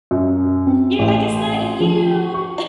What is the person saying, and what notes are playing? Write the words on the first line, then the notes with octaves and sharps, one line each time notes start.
you're like, "It's not you."
F#2
C4
A1
F3
C#6